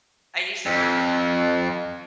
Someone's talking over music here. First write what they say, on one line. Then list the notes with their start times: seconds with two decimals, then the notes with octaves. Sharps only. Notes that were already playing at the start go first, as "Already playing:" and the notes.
I used to work at
0.66 F2